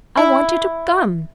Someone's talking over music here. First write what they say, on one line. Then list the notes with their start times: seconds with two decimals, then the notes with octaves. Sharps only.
'I wanted to come.
0.17 E4